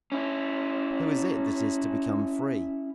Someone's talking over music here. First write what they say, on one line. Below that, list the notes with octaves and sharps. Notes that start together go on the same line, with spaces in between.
Who is it that is to become free?
C#4 E4